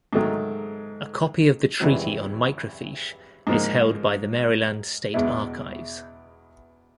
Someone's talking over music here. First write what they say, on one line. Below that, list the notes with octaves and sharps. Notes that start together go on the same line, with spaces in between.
A copy of the treaty on microfiche is held by the Maryland State Archives.
G#2 D#3 F#3 A3
G#1 F#2 C#3 E3 G3
G#2 F3 A#3 D#4
E2 B2 G#3 B3 E4